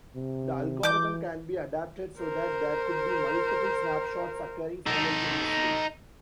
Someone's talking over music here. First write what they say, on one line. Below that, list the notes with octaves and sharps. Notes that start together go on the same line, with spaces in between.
The algorithm can be adapted so that there could be multiple snapshots occurring simultaneously.
C3
E3 D6 G6
A#4 C5
D#4 A4